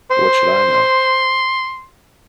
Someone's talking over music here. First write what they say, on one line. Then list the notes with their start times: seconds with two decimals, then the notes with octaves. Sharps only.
But what should I know?
0.11 C5 C6